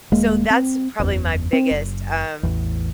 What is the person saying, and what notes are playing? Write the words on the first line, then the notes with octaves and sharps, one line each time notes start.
so, that's probably my biggest, um
D#1 G#3 A#3
C4
F#1 E2
C4
F#1
A1 E2